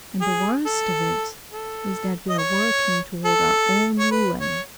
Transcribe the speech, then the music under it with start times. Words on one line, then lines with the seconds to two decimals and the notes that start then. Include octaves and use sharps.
And the worst of it is that we are working toward our own ruin.
0.21 G#4
0.66 A4
1.52 A4
2.29 D#5
2.38 C#5
3.25 A4
3.99 C#5
4.11 B4
4.41 C#5